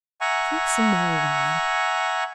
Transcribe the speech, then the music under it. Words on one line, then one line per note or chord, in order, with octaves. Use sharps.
Drink some more wine.
E5 F#5 G#5 A#5 C#6